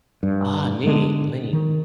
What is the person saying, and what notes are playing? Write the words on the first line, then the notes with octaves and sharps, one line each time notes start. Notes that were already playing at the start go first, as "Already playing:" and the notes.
Ah, neat neat.
G2
D3 G#3 B3
D#3